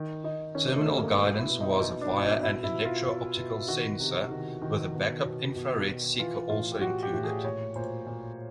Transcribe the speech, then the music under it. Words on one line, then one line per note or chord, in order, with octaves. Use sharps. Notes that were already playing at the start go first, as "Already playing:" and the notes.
Terminal guidance was via an electro-optical sensor, with a backup infrared seeker also included.
Already playing: D#3
D#3 D#4
D#3 C#4
A3
C3
A#3
B2 B3
E4
B2
D#4
B2 D#4
D4
B2
D#4
B2 E4
E4
B2
F4
B2
B2
D#3 F#4
C3
D#3
D#3
B2
B2
B2
B2
E3 F4
A2 F4
G4
A2 F#4
G4
A2
G#4
A#2 C#5
A#2 C5
A#2